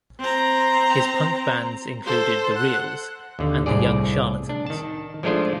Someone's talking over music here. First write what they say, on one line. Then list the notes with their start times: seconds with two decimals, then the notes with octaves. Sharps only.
His punk bands included the Reals and the Young Charlatans.
0.20 C4 A#5
2.05 A4 C5
2.56 F#5
3.39 D#2 D3
3.66 C2 A2 G#4 D5
4.49 D4
4.67 D#3 A5
5.23 F3 G#3 A3 D4 F4 C5